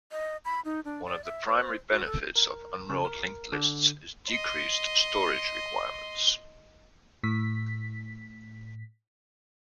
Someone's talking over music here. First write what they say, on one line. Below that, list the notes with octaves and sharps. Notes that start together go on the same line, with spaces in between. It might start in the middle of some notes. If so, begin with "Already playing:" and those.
One of the primary benefits of unrolled linked lists is decreased storage requirements.
D#5
B5
D#4
D4
D5
E5
C5
F#4
A4
A#4
C#3
A#4
D3
D#5 C6
A2 B6